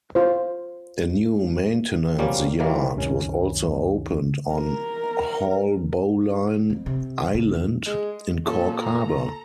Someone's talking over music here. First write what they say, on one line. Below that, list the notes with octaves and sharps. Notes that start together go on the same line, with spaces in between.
A new maintenance yard was also opened on Haulbowline Island in Cork Harbour.
F4 C5
B2 F3 G3 A#3 C#4
D#3 E3 F#3 G3 A#3
C#2 F#2 A2 C3 D#3 C#4
A#4
F2
C3
C#3
G#3
A#2 C#4 A4
A4 A#5